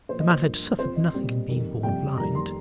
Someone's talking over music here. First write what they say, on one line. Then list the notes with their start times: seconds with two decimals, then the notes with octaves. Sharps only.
The man had suffered nothing in being born blind.
0.09 A#2 F3 A#3 C5
0.20 D#5
0.30 C5
0.44 G2 F3 A#3
0.79 F2 F3 C4 C5
0.96 D#5
1.13 A#2 G3 C4
1.49 F2 D#3 G3 A#3
1.83 F2 C3 G3 G5
2.17 F2 D#3 G3 A#5
2.35 C6